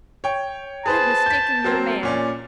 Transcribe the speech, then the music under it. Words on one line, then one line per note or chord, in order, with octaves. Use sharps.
You've mistaken your man.
C#5 G5
G#4 B4 C5 A5
G6 B6
F#3 A#3 C4
A#2 C#4 D5